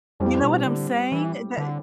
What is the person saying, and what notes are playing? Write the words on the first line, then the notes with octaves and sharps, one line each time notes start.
You know what I'm saying? That
F2 A2 G3 C4 G4
B2
D3
E3
D3